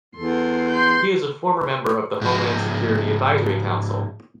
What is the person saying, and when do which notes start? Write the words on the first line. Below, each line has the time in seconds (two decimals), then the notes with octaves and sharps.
He is a former member of the Homeland Security Advisory Council.
0.16 E2 A4 C6
0.69 C6 G6
2.21 G#2 F3